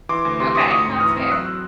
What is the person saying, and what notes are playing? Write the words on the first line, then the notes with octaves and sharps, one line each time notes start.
Okay, huh, that's fair.
E3 C6 D6
D2
C3 C6 D6
D2 C#6 D#6
A3 C#6 D#6
G#2
E3 D#6 F6
C4
F#3 E6 F#6